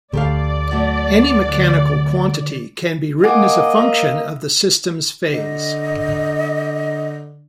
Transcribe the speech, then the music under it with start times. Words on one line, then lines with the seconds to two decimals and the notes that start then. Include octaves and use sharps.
Any mechanical quantity can be written as a function of the system's phase.
0.13 D2 G4 A4 D5 F5
0.71 F#3 A3 F#4
1.49 D3
3.24 A#3 D#5 F#5 G#5 D6
3.78 E5
5.33 D3 D#5